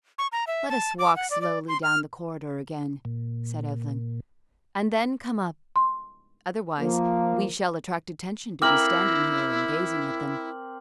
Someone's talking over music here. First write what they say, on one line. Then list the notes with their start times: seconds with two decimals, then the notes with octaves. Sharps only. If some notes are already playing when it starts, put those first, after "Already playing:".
"Let us walk slowly down the corridor again," said Evelyn, "and then come up; otherwise we shall attract attention to be standing here and gazing at them."
0.18 C#6
0.32 A#5
0.47 E5
0.69 A5
0.99 D6
1.16 F#5
1.31 D5
1.42 D5
1.68 C6
1.83 F6
3.05 A#2
5.76 C6
6.79 F3 A#3
8.62 C4 E4 A#4 D6 F6 F#7